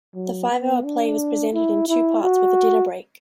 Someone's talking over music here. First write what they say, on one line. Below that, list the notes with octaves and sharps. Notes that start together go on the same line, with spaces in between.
The five-hour play was presented in two parts with a dinner break.
F#3
B3
D4
E4
E4
F#4